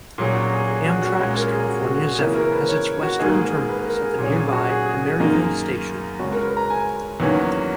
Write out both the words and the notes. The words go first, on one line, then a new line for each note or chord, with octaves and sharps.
Amtrak's "California Zephyr" has its western terminus at the nearby Emeryville station.
A#2 F#3 C#4 G#4
F#4
G#4
G#4
F#4
F#4
A#2 G#3 C#4
A#4
G#4
F#4
F#4
G#4
C#3 E3 A#3 C#4 A#4
A#4
B4
C#5
F#4
G#2 D#3 A#3 D#4 G#4
G#4
B4
A#4
G#4
A#2 F#3 C#4 G#4
G#4
F#4
G#4
G#4
G#4
F#2 D#3 A#3 D#4
C#2 C#3 G#3 C#4 F#4
A#4
B4
A#5
G#5
E2 D#3 F#3 A#3 C#4